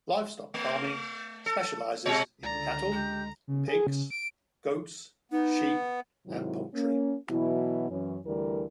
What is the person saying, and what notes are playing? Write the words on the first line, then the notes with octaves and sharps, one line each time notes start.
Livestock farming specializes in cattle, pigs, goats, sheep, and poultry.
A3
A4
B2 G#3 C#5
C#2 D3 D5 A#5
G#3 G4
C#3
G#4
C#3
D7
B3 D#4
G#2 C3 D#3 F#3 E4
A#3 C#4
B2 E3 F#3 E4
F#2 E3 C#4
D2 D3 E3 G3 A#4